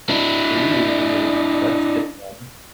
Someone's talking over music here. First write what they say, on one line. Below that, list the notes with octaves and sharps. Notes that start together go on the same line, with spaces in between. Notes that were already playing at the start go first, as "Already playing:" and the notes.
Ooh, that's good one.
D4 E4